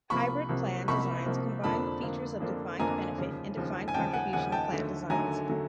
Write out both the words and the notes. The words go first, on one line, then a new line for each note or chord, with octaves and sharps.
Hybrid plan designs combine the features of defined benefit and defined contribution plan designs.
C2 C3 F3 A#3 B5 C#6
C2 C3 F3 A#3
C2 C3 F3 A#3 B5 C#6
C2 C3 F3 A#3
F2 D3 F3 A#3 D4 A5 B5
F2 D3 F3 A#3 D4
F2 D3 F3 A#3 D4
F2 D3 F3 A#3 D4 G#5 A#5
D#2 C#3 F3
D#2 C#3 F3
G#5
D#2 C#3 F3 G5 A5
F#5 G#5
D#2 C#3 F3 F#5 G#5
G5 A5
D#2 D3 F#3 A3
D#2 D3 F#3 A3 G#5 A#5
D3 F#3 A3